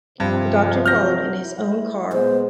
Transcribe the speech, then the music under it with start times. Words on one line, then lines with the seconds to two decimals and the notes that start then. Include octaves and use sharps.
The doctor followed in his own car.
0.20 G2 C3 F3 C4
0.86 F#3 F6 G6 A#6
1.43 E4
2.12 A#2 G#3 B3 C5